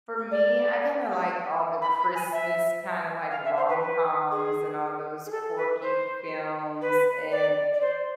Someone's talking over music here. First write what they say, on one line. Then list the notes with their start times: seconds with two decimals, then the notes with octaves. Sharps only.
for me, I kinda like all the Christmas kinda like rom-coms and all those quirky films and,
0.31 D5
1.81 B5
1.98 B5
2.15 G#5
2.32 E5
3.31 F5
3.44 E5
3.56 C5
3.68 B4
3.81 B4
4.31 G#4
5.26 G#4
5.31 A4
5.56 B4
5.82 C5
6.81 B4
7.31 D5
7.73 D5
7.81 C5